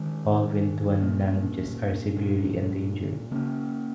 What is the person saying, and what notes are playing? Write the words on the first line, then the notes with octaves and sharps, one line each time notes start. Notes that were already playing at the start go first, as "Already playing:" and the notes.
All Wintuan languages are severely endangered.
Already playing: D#3 G#3 C#4
A#2 A#3 C#4
A#2 G#3 C#4
C#3 A#3 C#4